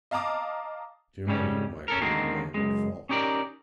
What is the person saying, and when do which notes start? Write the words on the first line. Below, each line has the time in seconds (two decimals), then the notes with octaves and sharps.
Too many of my brave men would fall.
0.11 D#5 F5 A5 A#5 D6 D#6
1.27 G#2 C#3 G3 C#4
1.88 C#4 A4 A#4
2.01 D3 D#3 G#3 A#3 C4
2.54 C#2 F#2 G#3
3.09 C#4 D#4 G4 A#4 D5